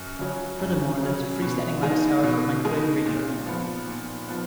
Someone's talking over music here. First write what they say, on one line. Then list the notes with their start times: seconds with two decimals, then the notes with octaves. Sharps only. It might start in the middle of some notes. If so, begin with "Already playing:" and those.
Furthermore there is a free standing lattice tower for microwave radio link.
Already playing: F#2
0.19 C#3 F#3 C#4
0.60 F#2
1.01 C#3 F#3 C#4
1.42 B2
1.83 G#3 D#4
2.23 B2
2.65 G#3 D#4
3.05 A#2
3.46 F3 B3
3.87 A#2
4.28 F3 B3